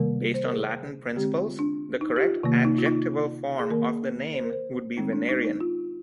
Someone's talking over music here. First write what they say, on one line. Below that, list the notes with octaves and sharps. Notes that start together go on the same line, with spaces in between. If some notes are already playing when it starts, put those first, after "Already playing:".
Based on Latin principles, the correct adjectival form of the name would be Venerean.
Already playing: C3 D#3 G3 A#3 A#4
C5
A#4
G#4
D3 G#3 C4 G4
F4
D4
D#4
G4
F4
C3 D#3 A#3
D#4
F4
D#4
G#4
D#3 A#3 A#4
C5
A#4
C5
D#3 G#3 C4 D#4
D4
D#4
D#4
F4